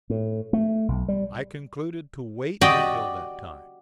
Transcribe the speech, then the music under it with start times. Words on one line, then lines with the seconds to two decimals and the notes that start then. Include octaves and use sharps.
I concluded to wait until that time.
0.10 A2
0.53 A3
0.88 B1
1.08 G3
2.61 F#4 G4 D5 D#5 G5